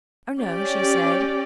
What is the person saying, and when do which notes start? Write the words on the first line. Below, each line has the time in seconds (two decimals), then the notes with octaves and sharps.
"Oh no," she said.
0.40 C#4 G4 D5